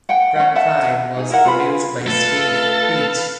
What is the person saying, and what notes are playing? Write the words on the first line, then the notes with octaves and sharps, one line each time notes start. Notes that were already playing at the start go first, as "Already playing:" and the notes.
Track five was produced by Steve Peach.
F#5 G5
C#4 F#5
A4 E5 F#5 A5
D#4 G#4
E4 A#4 F#5
F4 G#4 B4 B5
A3 F4 A4 B4 F5 A6